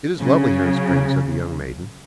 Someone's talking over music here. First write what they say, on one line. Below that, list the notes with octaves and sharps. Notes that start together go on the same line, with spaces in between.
"It is lovely here in spring!" said the young maiden.
C#3 F#3